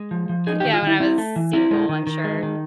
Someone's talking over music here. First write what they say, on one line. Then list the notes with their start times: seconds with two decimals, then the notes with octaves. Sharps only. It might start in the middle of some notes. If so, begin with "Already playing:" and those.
yeah, when I was single, I'm sure.
Already playing: G#3
0.11 F3
0.29 F3
0.47 D#4 G#4
0.60 G4
0.65 D#3
0.73 F4
0.82 D#3 E4
1.00 C4 E4
1.18 A3
1.36 E3
1.53 C4 E4
1.71 G#3
1.89 D#3
2.07 D#3
2.24 G#3
2.43 D#3